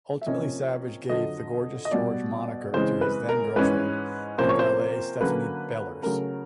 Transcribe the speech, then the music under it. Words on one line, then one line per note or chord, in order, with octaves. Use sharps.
Ultimately, Savage gave the Gorgeous George moniker to his then-girlfriend and valet Stephanie Bellars.
E5
C3 F3 A#3 C#4 D#5
F2 D3 F#3 D#5
D#5
B2 G3 B3 D5
C#3 E3 G#3 C4 C5
B4
A#4
G#2 E3 G#3 C#4 B4
C3 F3 A#3 C#4 C5
C#5
C5
D3 F#3 A#3 C#4 B4
C#3 F#3 A3 C#4 A#4